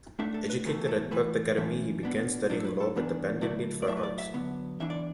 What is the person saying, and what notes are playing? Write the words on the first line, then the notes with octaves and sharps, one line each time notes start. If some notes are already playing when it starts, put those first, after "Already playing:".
Educated at the Perth Academy, he began studying law, but abandoned it for art.
A2 A3 D4 E5
A4
B4
E2 B2 A3 B4
A4
A2 E3 A3 B4
F#2 E3 A3 E5
B2 B3 D4
A2 F#3 D4 D5
A4
B4
A4
E2 E3 B3 D4
D3 F#3 A3 E4 D5
D5
A2 F#3 A3 E5
B4
D5
E5
D3 F#3 B3
E2 E3 D4 E5
D5